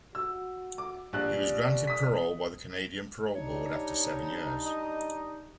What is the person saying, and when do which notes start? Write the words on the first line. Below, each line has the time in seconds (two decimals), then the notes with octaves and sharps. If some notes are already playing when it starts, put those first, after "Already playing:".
He was granted parole by the Canadian Parole Board after seven years.
0.15 F#4 E6
0.78 D6
1.13 A#1 G3 D5 F#6
1.87 D#6 B6
3.35 G3 D4 D#4 C#5
4.65 D#5